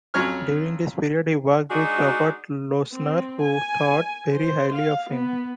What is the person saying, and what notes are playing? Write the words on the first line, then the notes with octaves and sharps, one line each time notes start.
During this period he worked with Robert Lochner, who thought very highly of him.
F2 F#3 C#4 C#5 F6
G#3 D4 D#4 F#4
C4
G#5
C5
F5
B3